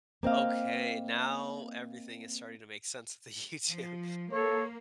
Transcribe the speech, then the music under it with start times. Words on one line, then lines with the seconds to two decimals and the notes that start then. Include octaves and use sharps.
Okay, now everything is starting to make sense to YouTube.
0.23 A#3 C4 D#5 F5
3.70 F3
4.32 A#3 A4 C#5